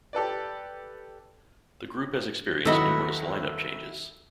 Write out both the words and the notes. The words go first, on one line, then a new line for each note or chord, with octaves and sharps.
The group has experienced numerous line-up changes.
G4 A4 B4 D5
D#2 F#3 B3 E4 F#4 A4 D#5 E5